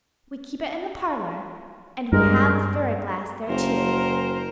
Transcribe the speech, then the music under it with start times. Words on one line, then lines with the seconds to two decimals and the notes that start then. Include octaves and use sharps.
We keep it in the parlor and we have the fairy glass there, too.
2.13 G2 G#3 A#4
3.49 F#1 A#4 C5